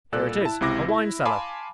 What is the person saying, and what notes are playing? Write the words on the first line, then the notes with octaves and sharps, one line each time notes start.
Here it is--a wine-cellar.
C2 A#2 A4 D5 E6 F#6
E4 A5
C#2 C3 E4 D6 A#6
E4
F5 G#5 A5 B5 C6 D6